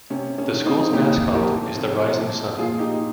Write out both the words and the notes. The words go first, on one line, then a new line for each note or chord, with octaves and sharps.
The school's mascot is the Rising Sun.
C3 C#4
C#4
D#3
C4 D#4
A#2 D#4 G4
F3 G4 A#4
C3
F3
A#2 F4 G#4
D#4 G4